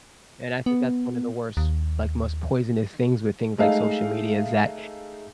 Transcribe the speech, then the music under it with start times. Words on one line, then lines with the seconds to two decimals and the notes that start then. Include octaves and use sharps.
And I think that's one of the worst, like, most poisonous things with things like social media is that
0.66 B3
1.57 D#2
3.58 G#3 A3 D#4 F5